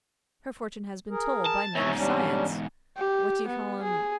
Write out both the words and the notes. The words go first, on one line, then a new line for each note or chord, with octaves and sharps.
Her fortune has been told by men of science--what do you call 'em?
G#4 A#4
A5
E2 G#2 C3 C#5 E5
G3 C#4 D4
G4
B3
G#4